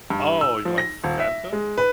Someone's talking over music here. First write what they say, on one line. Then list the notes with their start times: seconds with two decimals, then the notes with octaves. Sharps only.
Oh, you mean, like, Fanta?
0.10 G2
0.41 E6
0.65 F3
0.78 A#6
1.04 D#1
1.20 E5
1.53 G#3
1.78 B4